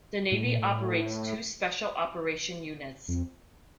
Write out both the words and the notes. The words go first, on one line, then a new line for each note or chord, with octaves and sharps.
The navy operates two special operation units.
A2
A#2
A2
F2